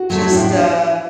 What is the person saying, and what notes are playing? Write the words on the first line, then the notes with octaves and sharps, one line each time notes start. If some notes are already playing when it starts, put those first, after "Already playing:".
just, uh
Already playing: F#4
F#3 A3 C4
D4
A2 C4 E4
D4